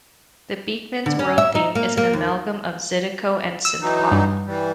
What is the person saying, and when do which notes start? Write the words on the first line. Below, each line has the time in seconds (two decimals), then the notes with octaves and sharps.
The "Beakman's World" theme is an amalgam of Zydeco and Synthpop.
1.06 D3
1.19 C#4
1.38 E5
1.55 D#4
1.75 A#3
1.97 A#3
2.13 D#2
3.65 E6
3.81 E3 F#3 D#4
4.12 G2
4.46 E3 G3